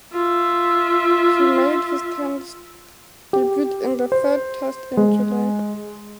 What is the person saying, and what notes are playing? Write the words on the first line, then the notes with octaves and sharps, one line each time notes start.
He made his Test debut in the third Test in July.
F4 E5
G4
C5
G#3